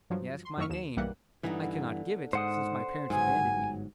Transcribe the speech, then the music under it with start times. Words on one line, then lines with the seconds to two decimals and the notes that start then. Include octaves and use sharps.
They ask my name, I cannot give it, since my parents abandoned me.
0.10 G2 F3 F#3
0.45 C6
0.57 F#2 A2 D#3 E5 C#6 F6
0.69 D#2 E7
0.96 B1 E3 G3 A#3 F#5
1.43 G2 D3 E3 B3 D#4
2.33 G#2 C5 F#5 D#6
3.10 G1 G#2 F#3 B3 G#4 G#5